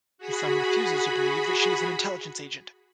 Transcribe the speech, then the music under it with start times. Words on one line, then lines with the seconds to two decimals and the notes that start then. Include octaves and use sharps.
His son refuses to believe that she is an intelligence agent.
0.18 F#4 G#4 B5